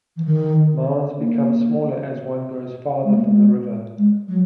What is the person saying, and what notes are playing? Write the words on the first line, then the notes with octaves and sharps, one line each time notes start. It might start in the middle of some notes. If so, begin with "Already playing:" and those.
Mounds become smaller as one goes farther from the river.
E3
D#3
A#3
G#3
A#3
G#3
G#3
F#3